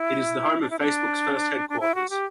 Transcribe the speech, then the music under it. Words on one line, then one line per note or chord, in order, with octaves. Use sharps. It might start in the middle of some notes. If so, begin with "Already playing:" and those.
It is the home of Facebook's first headquarters.
Already playing: E4
D4
E4
D4
D4
E4
F#4
G4